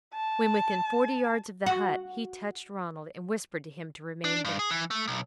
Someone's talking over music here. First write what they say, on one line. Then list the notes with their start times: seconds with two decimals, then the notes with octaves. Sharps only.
When within forty yards of the hut, he touched Ronald and whispered to him to remain there.
0.14 A5
1.66 F#4
4.25 D4
4.45 G2
4.59 G#4
4.71 E3
4.91 A3
5.08 B1